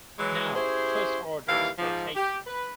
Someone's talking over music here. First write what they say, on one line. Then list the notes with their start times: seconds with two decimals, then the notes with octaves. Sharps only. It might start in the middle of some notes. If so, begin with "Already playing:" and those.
Now, first orders were taken.
0.18 E3 F#3 G#3
0.55 C#4 E4 G4 G#4 C5
1.47 D#2 E3 G3 A#3 E4 F5
1.78 G#2 F3
2.16 G4
2.46 B4